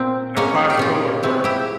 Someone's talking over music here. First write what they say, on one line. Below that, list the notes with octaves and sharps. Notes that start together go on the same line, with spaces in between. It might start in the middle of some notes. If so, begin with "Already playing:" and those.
you know, classical or or
Already playing: A#2 C4
G#3 A#3 C#4
G4
A#2 C#4 F4
F3 G#3 C4 E4
E4 G4